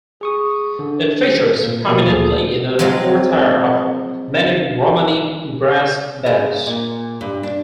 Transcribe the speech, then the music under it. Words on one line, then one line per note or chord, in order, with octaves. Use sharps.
It features prominently in the repertoire of many Romani brass bands.
G#4 C#6 D#6
D3
A#2 A#3
B2 F3 F#3 A#3 B3
D2 A#2 G#4 A4 D#6
F3 F#3 G#3 C4 F4
G#4
A#2
G2
D4